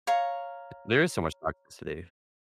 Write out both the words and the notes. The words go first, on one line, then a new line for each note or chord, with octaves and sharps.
There is so much toxicity,
C#5 F5 A#5 C#6